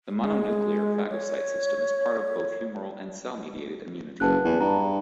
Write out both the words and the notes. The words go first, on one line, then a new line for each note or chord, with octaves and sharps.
The mononuclear phagocyte system is part of both humoral and cell-mediated immunity.
G#3
C#5
F#1 B4 A5 F#6
E2
G2 A#5